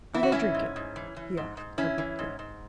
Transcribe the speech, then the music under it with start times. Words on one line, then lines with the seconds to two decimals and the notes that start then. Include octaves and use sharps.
"Are they drinking?" he asked abruptly.
0.14 E3 E4
0.23 F#4
0.32 E3 C#4 E4
0.54 G#2
0.76 G#2
0.96 E3
1.16 E3
1.37 G#2
1.57 G#2
1.78 E3 C#4 E4
1.98 E3
2.19 G#2
2.39 G#2